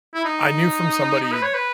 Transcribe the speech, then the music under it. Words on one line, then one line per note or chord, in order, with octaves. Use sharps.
I knew from somebody,
E4
D#4
D#4
B4
C#5
B4